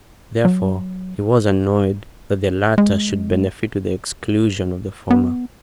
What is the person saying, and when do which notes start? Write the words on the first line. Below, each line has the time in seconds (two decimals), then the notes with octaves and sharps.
Therefore he was annoyed that the latter should benefit to the exclusion of the former.
0.45 F#3
2.78 G#3
5.11 B3